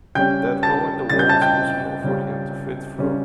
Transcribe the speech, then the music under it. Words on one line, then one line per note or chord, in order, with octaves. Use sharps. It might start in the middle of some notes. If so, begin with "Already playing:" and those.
That hole in the wall was too small for him to fit through.
C#3 G3 C#4 G5 G6
A5 A6
C#3 G3 C#4 A6
G6
A5 A6
G5 G6
C#3 G3 C#4
C#3 G3 C#4